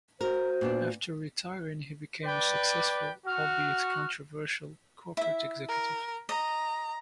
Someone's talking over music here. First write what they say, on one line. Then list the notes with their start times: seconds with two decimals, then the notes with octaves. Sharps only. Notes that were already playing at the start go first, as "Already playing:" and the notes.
After retiring he became a successful, albeit controversial, corporate executive.
0.21 F#4 A#4 C5
0.61 A#2 B3 D4
2.25 B4 D5 G5
3.27 F#4 F6
5.17 E4 E5
5.68 A#4
6.29 D#5 A#5